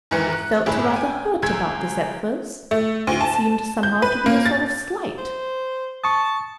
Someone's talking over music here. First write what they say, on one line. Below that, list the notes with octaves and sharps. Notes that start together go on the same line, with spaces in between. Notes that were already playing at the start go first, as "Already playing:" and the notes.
I felt rather hurt about this at first; it seemed somehow to be a sort of slight.
E2 G#2 D#3 E3 C#7
F#6
G1 A2 E4 G#4
G5 G#5
C#2 G#4 E6 G#6
A3
D2
A5
G6
B4
A#3
A6
C5
A5 C#6 D#6